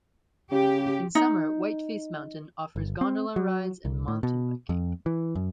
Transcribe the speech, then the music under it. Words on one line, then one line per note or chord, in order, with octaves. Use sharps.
In summer, Whiteface Mountain offers gondola rides and mountain biking.
C#3 G4
D#4
G1
C4
F#3
C2
A2
B2
F2
E3
F#2